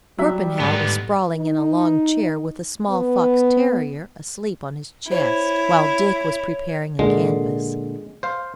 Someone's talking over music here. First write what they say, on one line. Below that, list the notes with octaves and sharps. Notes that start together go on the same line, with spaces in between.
Torpenhow was sprawling in a long chair with a small fox-terrier asleep on his chest, while Dick was preparing a canvas.
F#3 G3 E5
G#2 D3 B3
D#4
B3
E4 C5 C#5
A#2 D3 G#3
C5 F5